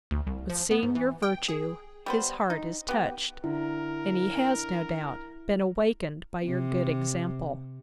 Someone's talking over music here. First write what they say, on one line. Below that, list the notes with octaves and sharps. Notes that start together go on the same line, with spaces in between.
But seeing your virtue, his heart is touched; and he has, no doubt, been awakened by your good example.
D2
C2
F3
B3
G#2
E3
G5
G#4
G3 B3 C5
D#4
B3 G4
D3 E4 A#4
C3